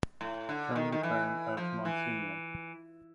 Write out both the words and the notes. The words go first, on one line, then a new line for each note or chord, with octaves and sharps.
During the term of Msgr.
A2
D3
D#3
D#3
E3
F3
E3